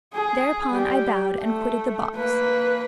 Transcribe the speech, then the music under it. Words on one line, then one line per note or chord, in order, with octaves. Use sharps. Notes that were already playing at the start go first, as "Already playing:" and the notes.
Thereupon I bowed and quitted the box.
G#4
G3 G4
A3
A#3 B4